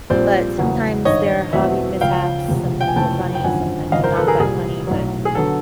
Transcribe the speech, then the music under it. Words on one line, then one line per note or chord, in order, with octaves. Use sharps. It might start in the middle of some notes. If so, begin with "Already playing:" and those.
but sometimes, there are hobby mishaps, sometimes they're funny, sometimes they're not that funny, but
A#1 A#2 G3 C4 C5 D5
E2 C#3 F#3
G#1 G2 D#3 C#5 D#5
E2 B2 F#3 A3 C4 E5 F#5
C#2 C#3 F3 F5 G5
E1 D2 C3 F3
G5
G#5
F1 F2 C#3 E3 A3 G5 A5
G5
G#1 F#2 D3 F3 F#5 G#5
G#1 F#2 C#3 F3 D#5 F5
A#4 C5
A4 B4
G#4 A#4
C2 A#2 G3 G#4
B1 A2 F#3
G#4
D3 F#3 B3 A4